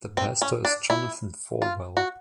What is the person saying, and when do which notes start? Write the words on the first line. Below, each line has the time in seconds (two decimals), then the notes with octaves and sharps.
The pastor is Jonathan Falwell.
0.17 C4
0.42 C#4
0.65 D4
0.90 E4
1.62 F4
1.97 F#4